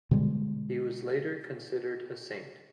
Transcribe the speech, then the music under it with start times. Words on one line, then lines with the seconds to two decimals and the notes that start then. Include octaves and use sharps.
He was later considered a saint.
0.11 B2 D3 G3 G#3